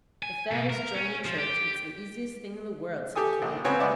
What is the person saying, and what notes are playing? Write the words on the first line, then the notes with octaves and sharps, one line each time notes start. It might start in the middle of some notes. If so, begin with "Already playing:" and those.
"If that is joining church, it's the easiest thing in the world," said Kate.
G#5
B2
A#4
C#4
F3
G4
G4 A4 G#5 D#6
A#1
C#2 B3 C4 C#5 G#5
G#3 B3 D5 E5